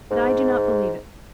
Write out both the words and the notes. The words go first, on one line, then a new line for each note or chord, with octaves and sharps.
But I do not believe it.
G#2